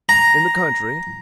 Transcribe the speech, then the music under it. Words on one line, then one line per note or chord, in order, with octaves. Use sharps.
"In the country?"
A#5